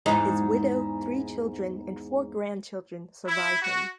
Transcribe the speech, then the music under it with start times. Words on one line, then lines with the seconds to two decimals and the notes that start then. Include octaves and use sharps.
His widow, three children, and four grandchildren survive him.
0.06 E2 G#2 D#4
3.27 E4
3.62 F#4